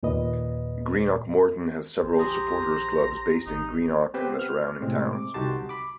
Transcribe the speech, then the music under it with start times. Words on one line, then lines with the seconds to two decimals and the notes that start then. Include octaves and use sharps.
Greenock Morton has several supporters' clubs based in Greenock and the surrounding towns.
0.03 D#2 A#2 B4 D#5
2.03 A#1 C5
2.19 G4 G#4 A#5
3.46 G#1 D#4
4.14 B3 C4 G4 B4 C5 G5
4.39 F6
4.81 A2 C3 G#3 C4
5.13 D6
5.34 C2 D#4 F#4 G4 A5 C6
5.69 B5 D6